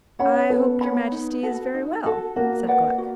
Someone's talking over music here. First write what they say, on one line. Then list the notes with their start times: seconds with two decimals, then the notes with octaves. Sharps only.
"I hope your Majesty is very well," said Gluck.
0.19 C#4 C#5 F#5 B5
0.50 B3 A4
0.81 C#5 F#5 B5
1.12 D#4
1.43 F#4 A4
1.74 D#4
2.05 F#4 A4
2.36 A#3 F#4
2.67 B4 D5 F#5
2.98 F#4